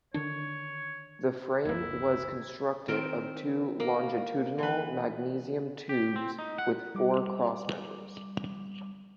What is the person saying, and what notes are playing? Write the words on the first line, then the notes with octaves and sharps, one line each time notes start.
The frame was constructed of two longitudinal magnesium tubes with four crossmembers.
D3 D#3 D4 C#5
F#1 C#2 A#3 E4
D#3 C4 A#4
A#3
E3 B4
G4
C4
D#4
F#5
G3 D6